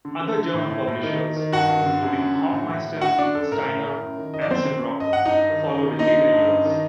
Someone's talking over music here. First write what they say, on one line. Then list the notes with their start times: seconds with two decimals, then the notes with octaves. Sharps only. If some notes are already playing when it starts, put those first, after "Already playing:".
Other German publishers, including Hoffmeister, Steiner and Simrock, followed in later years.
0.05 D3
0.20 D3
0.37 D3
0.54 A2
0.71 A2
0.87 A2
1.03 D#3
1.20 D#3
1.36 D#3
1.52 G2 F#4 F#5
1.69 G2
1.86 D3
2.02 F#2
2.19 F#2
2.35 D3
2.52 A2
2.69 A2
2.85 A2
3.01 D3 F#4 F#5
3.18 D3 D4 D5
3.35 F#2 A4
3.52 A2 A#4
3.67 A2
3.84 A2
4.01 F#2
4.17 D#3
4.34 D#3 D#5
4.41 D5
4.50 F#2 C4 C5
4.67 F#2
4.83 F#2
5.00 G2 D#5
5.13 G2 F#5
5.25 D#4 D#5
5.33 G2
5.50 D#3
5.66 F#2
5.82 D#3
5.99 D3 D#4 D#5
6.16 D3
6.32 G2
6.48 F#2
6.65 D#3